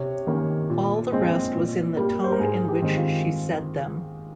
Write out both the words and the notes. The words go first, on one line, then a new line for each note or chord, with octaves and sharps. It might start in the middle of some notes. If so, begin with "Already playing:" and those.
All the rest was in the tone in which she said them.
Already playing: C3 C#5
D#3 A#3 C#4
A#2
G#3 C4
A#2
G3 A#3
C5
A#4
G#2 G#4
G4
D#3 G#3 C4
F4